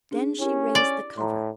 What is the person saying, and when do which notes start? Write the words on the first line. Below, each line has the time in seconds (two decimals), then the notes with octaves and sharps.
Then she raised the cover.
0.11 C#4 D4 G#4
0.40 C#4 E4 G4 A#4
0.75 D5
1.18 A2 A#5 C6